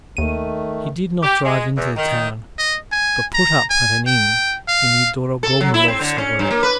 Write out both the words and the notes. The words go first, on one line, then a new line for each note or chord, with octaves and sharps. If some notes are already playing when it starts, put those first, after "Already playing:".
He did not drive into the town, but put up at an inn in the Dorogomilov suburb.
D#2 D#3 A3 D#7
G4
G#3
E2
D#3
D#5
G#5
A#5
G#5
G5
F5
A4
F#3
E4
C4
D3
C#4
G2
A#3
B4